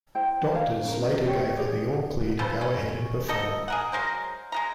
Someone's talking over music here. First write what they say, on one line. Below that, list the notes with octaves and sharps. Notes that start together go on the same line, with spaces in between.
Doctors later gave her the all clear to go ahead and perform.
E4 C5 G5
A#4 C5 C#5 F5
C#4 A#4
F#4 G4 C#5
G4 G#4 C#5 D5
C#3 B3 A4 C5
C#4
D#4 F#4 A4 D#5
G#4 A#4 F#5
F#3 G#3 A#4 C5
G#3 F#4 A#5